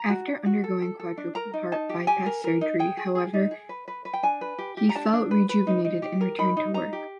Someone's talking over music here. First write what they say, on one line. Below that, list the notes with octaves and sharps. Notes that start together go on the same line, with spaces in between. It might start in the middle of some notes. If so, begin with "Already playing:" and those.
After undergoing quadruple heart bypass surgery, however, he felt rejuvenated, and returned to work.
Already playing: A#5
F#4
D4
F#4
A4
A4
A4
D4
A#4 A#5
D#4
D#4 A5
G4
G4 G#5
A#4
A#4
D#4
G#4 G5
G#4
G#4
D#4
G#4
B4
B4
B4
G5
D4 G#5
B4
G4
G4
A#5
D4 A5
D4
B4
B4
D#4
D#4
G4
A#4
D#4 B5
D#4
D#4 A#5
G4